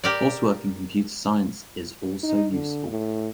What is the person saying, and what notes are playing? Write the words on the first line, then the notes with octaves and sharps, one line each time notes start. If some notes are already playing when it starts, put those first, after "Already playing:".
Coursework in computer science is also useful.
G4 A#4 D5
D#4
D3
A2